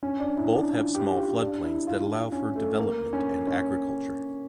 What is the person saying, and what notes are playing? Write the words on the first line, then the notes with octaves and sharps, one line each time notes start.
Both have small floodplains that allow for development and agriculture.
C#4
D4
E4
D4
F4
G4
F4
D4
E4
F4
C#4
A3
A#3
C#4
C#4